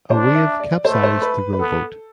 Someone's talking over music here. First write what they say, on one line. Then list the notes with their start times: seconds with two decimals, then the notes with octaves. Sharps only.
A wave capsized the rowboat.
0.10 D4 C5
0.27 D5
0.35 E5
0.60 D5
0.84 A3 C5
0.94 B4
1.03 C5
1.22 B4
1.53 B4
1.59 B3 A4